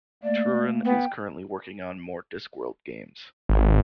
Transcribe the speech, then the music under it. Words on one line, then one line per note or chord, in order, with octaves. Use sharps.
Truran is currently working on more Discworld games.
A3 A#3 D5
B3 G5
G#1